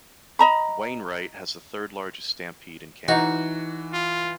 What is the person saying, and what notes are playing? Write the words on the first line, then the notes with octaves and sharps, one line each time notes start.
Wainwright has the third-largest stampede in Canada.
D#5 A#5 B5
E3 D#4 F#4
F4